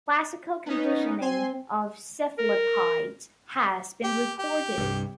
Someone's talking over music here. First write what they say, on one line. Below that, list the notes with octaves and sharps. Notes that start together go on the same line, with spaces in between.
Classical conditioning of cephalopods has been reported.
B3 C#4 D#4
C4 G#5 C6
A#4
G4
G4
C2 G2